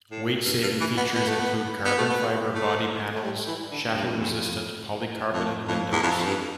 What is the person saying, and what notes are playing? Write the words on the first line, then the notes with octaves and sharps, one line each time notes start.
Weight saving features include carbon fiber body panels, shatter-resistant polycarbonate windows.
A2
G2
G2
E3
B3
B3
A3
B3
B3
A3
B3
A3
A3
G3
E3
D3
G2
F2
E2
F2
F2
F2
E2
F2
F2
G2